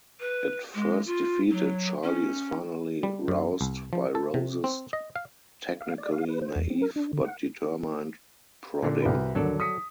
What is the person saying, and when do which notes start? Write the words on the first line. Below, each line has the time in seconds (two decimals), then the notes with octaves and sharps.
At first defeated, Charlie is finally roused by Rose's technically naive but determined prodding.
0.20 B4
0.74 G#3
1.06 F4
1.51 F#3
2.03 C#4
3.03 G3
3.28 F#2
3.61 C2
3.93 F3
4.15 A4
4.34 C3
4.64 C4
4.93 D#5
5.16 F5
5.81 F5
5.98 D5
6.12 F5
6.28 B4
6.42 C5
6.56 E2
6.70 C4
6.82 A#4
6.96 D4
7.13 D3
7.25 F#5
8.83 A#2 D3
9.02 C2 F#4 B4
9.35 D#1 D3 F#3 A4 A#4 D5
9.60 D#6 B6 C#7